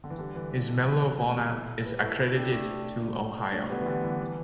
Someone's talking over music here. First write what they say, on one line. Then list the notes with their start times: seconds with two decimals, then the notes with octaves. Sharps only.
His Medal of Honor is accredited to Ohio.
0.04 D3
0.10 E3
0.18 D3 G3
0.35 E3
0.51 E3
0.68 D3
0.85 E3
1.19 E3 A3
1.35 G3 B3
1.52 E4 A4
1.85 G4 B4
2.02 E4 A4
2.19 E4 A4
2.36 D4 G4
2.52 A3 D4
3.53 A3 D4
3.69 G3 B3
3.82 E3
3.86 D3 G3
4.03 E3
4.20 E3